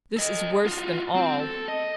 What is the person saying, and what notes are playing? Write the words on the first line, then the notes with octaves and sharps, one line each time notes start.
"This is worse than all."
A4 D#5
F4 F#4
C4
A4
D#5